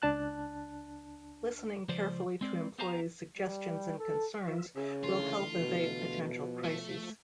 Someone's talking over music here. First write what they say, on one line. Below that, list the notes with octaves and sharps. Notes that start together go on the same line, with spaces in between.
Listening carefully to employees' suggestions and concerns will help evade potential crises.
C#2 D4 A5 F#6
C#2 F3 C5 D5
G#3 C4 D5
B3 G4 C5 F5 G#5 A#5
G3
A4
F3 F4 E5
C#3 G#4 E5
D3 E3 A3 F4
B2
F3
A3